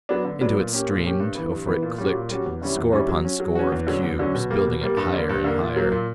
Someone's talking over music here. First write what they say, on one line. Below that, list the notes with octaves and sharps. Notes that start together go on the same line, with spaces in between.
Into it streamed, over it clicked, score upon score of cubes, building it higher and higher.
F#3 B3 D4
D3
F#3 B3 D4
A#2
A#3 C#4 G4
A#2
A#3 C#4 G4
G2
E3 B3
G2
E3 B3
A#2
G3 C#4 F#4
A#2
G3 C#4 F#4
E2
D3 G3 C#4 E4
E2
D3 G3 C#4 E4
F#3
C#4 F#4
F#3
C#4 F#4
E2
D3 F#3 C#4
E2
D3 F#3 C#4
B2
G3 A#3
B2
G3 A#3
G2
D3 A#3
G2
D3 A#3
A#2
F#3 A#3
A#2